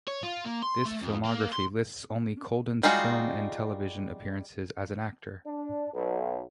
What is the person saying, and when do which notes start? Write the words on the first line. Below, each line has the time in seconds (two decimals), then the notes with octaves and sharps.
This filmography lists only Kolden's film and television appearances as an actor.
0.08 C#5
0.23 F4
0.45 A#3
0.62 C6
0.85 A3
1.03 F2
1.25 A#3
1.53 C6
2.83 G3 G#3 D#4 F4 F#4
5.46 D4
5.93 B1